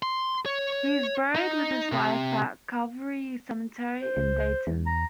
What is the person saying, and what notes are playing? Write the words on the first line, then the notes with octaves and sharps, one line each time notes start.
He is buried with his wife at Calvary Cemetery in Dayton.
C6
C#5
D#4
C3
C5
C#2
E2
A#5